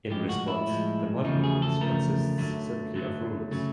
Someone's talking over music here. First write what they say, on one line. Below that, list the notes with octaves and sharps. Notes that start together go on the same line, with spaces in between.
In response, the Model Rules consists simply of Rules.
A2 F3 G#3 G4
F#4
E4
A2 F3 G#3
E2 C#3 F3 A3 D#4
G#4
A4
E2 C#3 F3 A3 A#4
F#2 D3 F#3 A3
F#2 D3 F#3 A3
C#3 F#3 A3